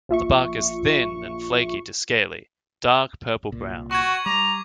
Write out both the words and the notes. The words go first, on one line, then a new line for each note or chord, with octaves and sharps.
The bark is thin and flaky to scaly, dark purple-brown.
A#1 F4 E5 C#6
C2 A#2
F#4 C#6 G#6
G3 A#5 D6